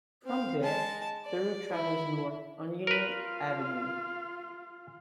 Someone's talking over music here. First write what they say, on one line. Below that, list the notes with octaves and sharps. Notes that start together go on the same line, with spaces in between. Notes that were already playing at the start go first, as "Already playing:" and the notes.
From there, the route travels north on Union Avenue.
C4 F5
G#3 A5
D5
E4
F4 A#4 B4 F5